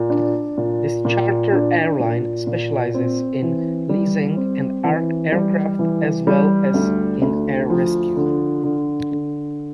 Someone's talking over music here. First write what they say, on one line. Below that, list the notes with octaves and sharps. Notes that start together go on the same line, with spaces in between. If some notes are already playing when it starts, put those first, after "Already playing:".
This charter airline specializes in leasing and aircraft as well as in air rescue.
Already playing: A#2
D4
A#2
A#2
D4
A#2
A#2
C4
E3
G3
C4
E3
G3
E3
G3
D2
D2
F3
D3
D3
D3